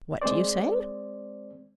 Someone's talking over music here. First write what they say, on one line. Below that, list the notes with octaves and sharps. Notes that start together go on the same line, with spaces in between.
"What do you say?"
G#3 C4 C5 D5